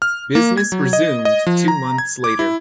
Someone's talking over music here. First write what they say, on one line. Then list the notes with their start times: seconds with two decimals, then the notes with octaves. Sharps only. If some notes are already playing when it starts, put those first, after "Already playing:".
Business resumed two months later.
0.02 F6
0.35 A#3
0.58 G#6
0.72 F#3
0.93 D#5
1.25 D#5
1.47 F3
1.68 A#5
1.98 G#6
2.24 D6
2.39 E4